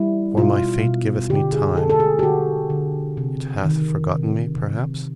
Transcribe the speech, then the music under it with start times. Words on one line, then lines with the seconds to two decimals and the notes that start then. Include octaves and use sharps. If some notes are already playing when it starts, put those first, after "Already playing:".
For my fate giveth me time: it hath forgotten me perhaps?
Already playing: G3 E4
0.37 B2 F4
0.83 B2
1.30 D3 G4
1.53 G#4
1.77 D3 A4
1.90 A4
2.00 G#4
2.19 G4
2.23 D3 F#4
2.70 D3
3.17 C3
3.64 D#3
4.10 C3
4.56 C3